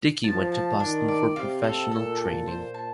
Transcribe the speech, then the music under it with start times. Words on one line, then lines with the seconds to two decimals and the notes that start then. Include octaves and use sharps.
Dickey went to Boston for professional training.
0.24 F3 A5
0.52 A5
0.80 D#3 D4
1.08 D5
1.36 C3 F4
1.64 A4
1.91 A#2 A4
2.19 A4
2.47 A#2 C5
2.74 A5